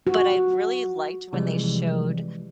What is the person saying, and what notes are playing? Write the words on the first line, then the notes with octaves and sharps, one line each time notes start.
but I really liked when they showed
F#4
C3 E3 F3 G3 G#3